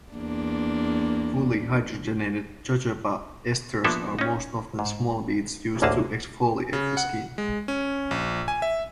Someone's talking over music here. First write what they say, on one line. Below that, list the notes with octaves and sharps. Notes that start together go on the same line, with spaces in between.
Fully hydrogenated jojoba esters are most often small beads used to exfoliate the skin.
E2 A#3 D4
F3 A#3 B3 D4 A4 E5
C#4 D#4
G#2
A1 D2 D3 A#3 G#4 A5
C#3
F#5
G#3
C#4
A#1
G#5
E5